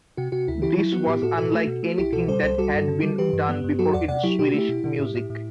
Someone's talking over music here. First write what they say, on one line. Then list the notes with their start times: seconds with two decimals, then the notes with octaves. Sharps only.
This was unlike anything that had been done before in Swedish music.
0.17 C3 F#4
0.32 C3 F#4
0.48 D2 E4
0.62 E3 E4 G4
0.77 F#3 E4
0.92 B3 F#4
1.07 A2 E4 G4
1.22 A2 F#4 A4
1.38 B2 F#4 A4
1.54 A3
1.67 B2
1.83 A3
1.98 C2 E4 G4
2.13 B2 F#4 A4
2.28 G3 A4 C5
2.43 C2 A4 C5
2.58 G3 F#4 A4
2.73 G2
2.88 D3
3.03 G3
3.18 E3 G4 B4
3.33 G2
3.49 B3
3.64 G2
3.79 F#3 F#4 A4
3.93 E2 D5 F#5
4.08 C3 D5 F#5
4.23 F#3 E4 G4
4.39 B2 G4
4.48 F#4
4.54 A3 E4 G4
4.69 B2
4.84 B2
4.99 A2
5.15 A2
5.30 A2